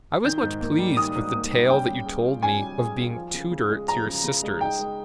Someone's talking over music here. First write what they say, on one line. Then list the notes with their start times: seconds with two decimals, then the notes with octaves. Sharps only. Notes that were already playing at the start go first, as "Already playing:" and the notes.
I was much pleased with the tale that you told me of being tutour to your sisters.
0.25 D#3 G6
0.42 G#2
0.61 A#3
0.78 G3
0.97 D#3 D#6
1.15 G#2
1.34 A#3
1.51 G3
1.70 C#4 G5
1.88 G3
2.06 G#4
2.24 F4
2.42 C#4 G#5
2.61 G3
2.78 G#4
2.98 F4
3.16 F3
3.34 C#3
3.51 C#3
3.70 G#3
3.88 F3 A#5
4.06 C#3
4.24 C#3
4.43 G#3
4.61 D#4 G5
4.79 G#3